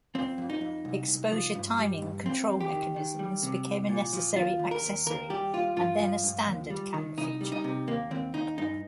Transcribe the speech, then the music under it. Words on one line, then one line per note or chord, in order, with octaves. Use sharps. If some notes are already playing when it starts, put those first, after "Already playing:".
Exposure timing control mechanisms became a necessary accessory and then a standard camera feature.
F2 C4
F2
D#4
F2
C2
C2
F3
G2
G3
G2
F2 C4
F2
G4
D#3
D#3
G3
C3
C2
A#2
F3
D#2 F4
D#2
A#4
D#2
D#2 A#4
G3 G4
D#2 F4
G2 F4
F3
G2
D#2
G3
D#3
C2 D#4
G3
D#4
C3
D#2 A#3
D#2 C4
D#2 D#4
G2 D#4